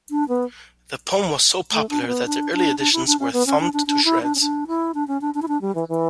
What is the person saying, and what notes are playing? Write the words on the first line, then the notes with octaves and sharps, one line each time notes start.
The poem was so popular that the early editions were thumbed to shreds.
D4
B3
A3
D4
C#4
B3
D4
D4
D4
E4
D4
C#4
B3
C#4
D4
D4
D4
E4
D4
C#4
D4
E4
D4
C#4
D4
D4
E4
D4
G3
E3
E3